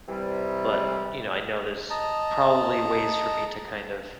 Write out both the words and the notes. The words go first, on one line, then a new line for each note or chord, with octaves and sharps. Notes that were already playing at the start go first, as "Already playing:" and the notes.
but, you know, I know there's probably ways for me to kind of
C3 E3 G3
D#5 A5 A#5